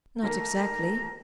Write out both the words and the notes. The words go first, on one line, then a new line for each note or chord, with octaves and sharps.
"Not exactly."
D#3 A3 A#3 A#5